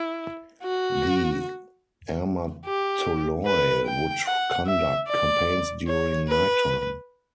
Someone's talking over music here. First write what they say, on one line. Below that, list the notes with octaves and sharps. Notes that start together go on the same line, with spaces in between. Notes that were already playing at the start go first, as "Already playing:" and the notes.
The armatoloi would conduct campaigns during nighttime.
Already playing: E4
F#4
G4
B4
G5
F#5
E5
D5
C#5
B4